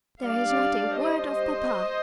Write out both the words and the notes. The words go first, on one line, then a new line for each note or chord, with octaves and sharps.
"There is not a word of papa!"
G3 D4 D5 F5
C5 D#5